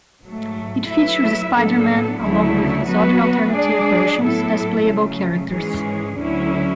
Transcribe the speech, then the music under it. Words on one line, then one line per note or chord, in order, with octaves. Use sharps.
It features Spider-Man, along with his other alternative versions, as playable characters.
G#2 F#3 A3
F#3 A3 E4 B4 E5
A2 F#3 B3 D4 A4
D2 C#3 F#3 A3 E4
F#3 B3 F#4 B4
G#3 D4 G#4 D5
A2 F#3 B3 E4 A4
C#3 F#3 A3
G#2 E3 G#3 C#4 G#4
D2 D3 F#3 C#4 E4